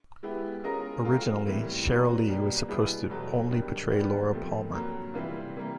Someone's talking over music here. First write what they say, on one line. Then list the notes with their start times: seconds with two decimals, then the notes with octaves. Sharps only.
Originally, Sheryl Lee was supposed to only portray Laura Palmer.
0.23 G#3 B3 E4 G4
0.64 G#3 C#4 F4 A#4 D#5
1.05 F#3 A3 C4 F4 A#4
1.45 A2 E3 G3 C4
1.87 F#3 A#3 D4 F#4 B4
2.28 B2 G3 A#3 D4
2.68 B2 G3 B3 E4 G#4
3.10 E2 B2 F#3 A3
3.50 G2 D#3 G3
3.91 D#3 G3 B3 D4
4.32 A#2 F3 A3 C4
4.73 G2 D3 F#3 A#3
5.14 C3 E3 G3 C4 F4
5.57 E3 G3 A#3